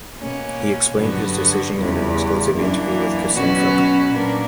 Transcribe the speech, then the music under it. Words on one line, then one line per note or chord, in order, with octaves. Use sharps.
He explained his decision in an exclusive interview with Cricinfo.
B2 A#3 C#4
G2 D3 F#3 B3 F#4
E2 C#3 G3
F#2 E3 A#3 D4
B2 F#3 C#4 F#4 B4
A#2 A#3 D4 A#4